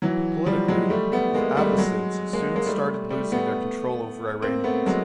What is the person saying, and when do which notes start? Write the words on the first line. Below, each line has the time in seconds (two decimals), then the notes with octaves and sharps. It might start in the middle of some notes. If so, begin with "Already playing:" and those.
Politically, the Abbasids soon started losing their control over Iranians.
0.02 E3 F#3
0.46 F3 G3
0.68 F#3 G#3
0.90 G3 A3
1.12 A3 B3
1.34 G#3 A#3
1.57 G3 A3
1.78 F#3 G#3
2.33 G#3 A#3
2.56 G#3 A#3
2.66 G3 A3
3.10 G3 A3
3.32 A3 B3
4.42 A#3 C4
4.64 A3 B3
4.86 F#3 G#3